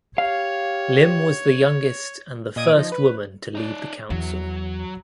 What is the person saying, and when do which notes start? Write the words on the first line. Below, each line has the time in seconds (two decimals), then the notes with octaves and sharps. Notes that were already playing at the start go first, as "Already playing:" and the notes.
Lim was the youngest and the first woman to lead the council.
0.18 G4 C#5 F5
2.56 A#2 D#5 D#6 G#6 D7 D#7
2.75 F3 D#4
2.92 B4
3.55 D#4 D5
4.10 E2 F#3